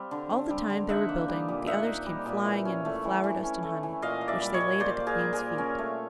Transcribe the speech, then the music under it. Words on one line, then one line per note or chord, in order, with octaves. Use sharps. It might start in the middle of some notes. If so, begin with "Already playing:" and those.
All the time they were building, the others came flying in with flower-dust and honey, which they laid at the Queen's feet.
Already playing: G3 C4 F5
D3
C4
G3
D3
D#4 E5 F#5
A#3
G3
A#2
D#4 E5 F#5
A#3
G3
A#2
E3
C#4
A3
E3
E3
C#4
A3
E3
A#2 D#5 F5
A#3
D5 E5
G3
C#5 D#5
A#2
A#2 C5 D5
A#3
G#4 A#4
G3
G#4 A#4
A#2
C#4
A3